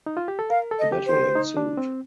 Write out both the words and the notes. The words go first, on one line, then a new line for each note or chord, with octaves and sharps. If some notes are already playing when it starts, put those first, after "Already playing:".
A battle ensued.
D#4
F4
G4
A4
A#4 F5
A4
D#5
G4
C5
G4
D#4
D4
C4